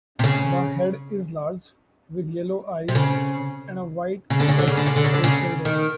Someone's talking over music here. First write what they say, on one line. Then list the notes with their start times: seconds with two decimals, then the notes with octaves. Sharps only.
The head is large, with yellow eyes and a white-edged facial disc.
0.19 C3
0.24 C#3
2.88 C3
2.95 C#3
4.30 C#3
4.40 D3
4.49 C#3
4.59 D3
4.68 C#3
4.77 D3
4.86 C#3
4.96 D3
5.04 C#3
5.14 D3
5.24 C#3
5.65 D#3